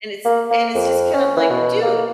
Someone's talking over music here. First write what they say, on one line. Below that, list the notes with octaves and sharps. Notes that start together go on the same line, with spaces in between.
And it's and it's just kind of like, "Dude,
A#3
A#3
F2
C#4
E3
B2
A#3